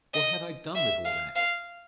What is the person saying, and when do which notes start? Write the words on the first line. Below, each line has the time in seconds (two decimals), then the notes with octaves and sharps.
What had I done with all that?
0.14 D#5
0.75 E5
1.05 F5
1.36 F5